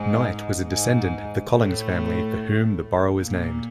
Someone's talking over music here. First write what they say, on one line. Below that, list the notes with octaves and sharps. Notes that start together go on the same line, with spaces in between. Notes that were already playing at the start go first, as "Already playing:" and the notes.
Knight was a descendant of the Collings family for whom the borough is named.
Already playing: G#2 G#3
G#2 G#3
A2 A3
A#2 A#3